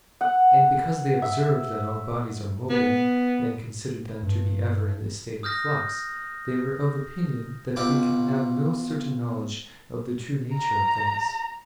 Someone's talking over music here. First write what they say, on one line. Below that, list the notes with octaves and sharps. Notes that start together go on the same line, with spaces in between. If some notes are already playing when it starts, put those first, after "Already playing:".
And because they observed that all bodies are mobile, and considered them to be ever in a state of flux, they were of opinion that we can have no certain knowledge of the true nature of things.
F#5
E5
B3
G2
D#6 F6 G6 A#6
B1 F4 B4 G5 D6
A#5